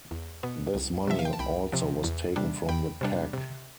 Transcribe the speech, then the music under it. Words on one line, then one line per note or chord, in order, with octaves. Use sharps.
This money also was taken from the pack.
E2
B2 B3
C2
C3 F3 E5
F5
G5
A5
C2 G5 B5
C3 F3
E2
C3 G3 D4
E2 G5 B5
C3 G3 D4
C3